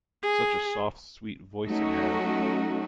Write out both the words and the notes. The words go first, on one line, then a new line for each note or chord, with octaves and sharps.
Such a soft sweet voice it had!
G#4
F#3 A3 C#4 D#4 F#4